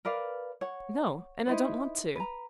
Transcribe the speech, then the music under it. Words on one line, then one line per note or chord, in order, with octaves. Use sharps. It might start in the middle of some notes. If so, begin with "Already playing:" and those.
"No, and I don't want to."
A#4 B4 D5 F5
C#5 F#5
D#4 E4 C5
B4 A#5